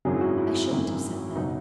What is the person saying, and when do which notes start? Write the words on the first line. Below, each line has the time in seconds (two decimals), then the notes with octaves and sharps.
I shouldn't have said that.
0.05 G#1 F#2 D#3 F#3 G#4
0.14 E4
0.21 F#4
0.38 E4
0.70 G#1 F#2 D#3 F#3
1.35 F#1 B2 F#3 D#4